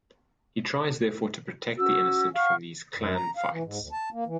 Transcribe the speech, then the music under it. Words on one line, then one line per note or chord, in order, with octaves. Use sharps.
He tries therefore to protect the innocent from these clan fights.
C#4 F#4 E6
F5 F#5 C#6 F6
F#2
A#5
F5
E3
G#2
D2
A5
A#3
E3